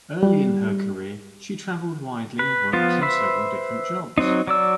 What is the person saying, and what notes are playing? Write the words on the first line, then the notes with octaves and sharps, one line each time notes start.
Early in her career, she traveled widely and worked in several different jobs.
G3
B4
F3 B3 F4
B4 C5 E5 B5
F#3 C4 D#4
F#3 D5 E6